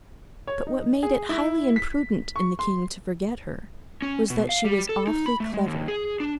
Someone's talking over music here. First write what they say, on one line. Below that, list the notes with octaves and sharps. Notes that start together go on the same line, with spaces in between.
But what made it highly imprudent in the king to forget her was--that she was awfully clever.
C#5
D#4
G#4
E4
B6
C#6
C6
C#4
B2
F5
G3
A4
D#4
B5
A3
G#3
D#2
G#4
D4